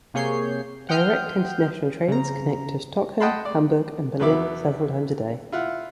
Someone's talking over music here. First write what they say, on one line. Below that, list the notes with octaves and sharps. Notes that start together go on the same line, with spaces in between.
Direct international trains connect to Stockholm, Hamburg and Berlin several times a day.
C3 A#3 G#4 C#5 G6 C7
F#5 G5 C6 D#6 F6 G6
C#3 A#5
D#5 F#5 G5 A5 B5 C6
D5
E2 F#3 B3 E4 D6
E4 F4 F#5